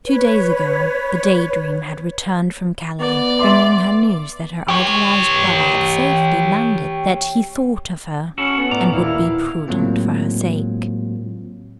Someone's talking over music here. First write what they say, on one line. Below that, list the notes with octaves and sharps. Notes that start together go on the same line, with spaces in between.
Two days ago the DAY DREAM had returned from Calais, bringing her news that her idolised brother had safely landed, that he thought of her, and would be prudent for her sake.
B4 C#5
B3 D5
E5 C6 D6
G4 C#5
C#4 E4 F#4 A4
B3
A2 D5 A#5 D6
D#2 A#2 E4 F5
A2 F#3 G#3 A#3 C4 F4